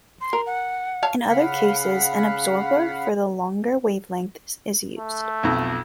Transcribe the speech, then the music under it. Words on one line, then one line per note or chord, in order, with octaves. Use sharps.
In other cases an absorber for the longer wavelengths is used.
C6
A#4
F#5
C#5 F5 A5
C#3 F5 F#5 B5
A3
B1 F2